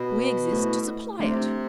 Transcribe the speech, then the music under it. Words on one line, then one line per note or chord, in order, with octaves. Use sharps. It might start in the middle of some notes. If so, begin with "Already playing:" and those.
We exist, to supply it.
Already playing: B2
A3 E4 A4 C5
C3 A3 D4 F4